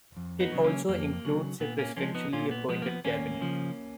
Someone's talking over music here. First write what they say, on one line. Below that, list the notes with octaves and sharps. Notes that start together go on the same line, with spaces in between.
It also includes a presidentially appointed cabinet.
F2
B3 D#4
C#3 F#3
A#3 C#4
F2 A#3
C#3 F#3
A#2 B3
A#3 C#4
F3 G#3 A#3 C#4
B3 D#4
A#2 C#4 F4
B3
F3 G#3 B3
A#3
B3
D#2 A#3 C#4
C#3 F3